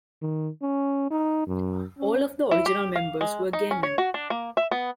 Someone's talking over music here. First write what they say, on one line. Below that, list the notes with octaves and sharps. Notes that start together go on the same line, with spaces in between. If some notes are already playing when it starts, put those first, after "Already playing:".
All of the original members were gay men.
D#3
C#4
D#4
F#2
C#4
E4
G4
F5
G#3
D#4
C#4
C#5
F#4
D4
A#3
E5
B3